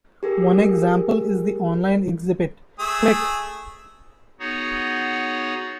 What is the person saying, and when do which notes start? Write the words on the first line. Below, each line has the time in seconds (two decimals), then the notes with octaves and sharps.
One example is the online exhibit Click!
0.23 G4 G#4 A#4
2.79 A3 G#4 E6
4.40 B3 D#4 F#4 G#4 C#5 F#5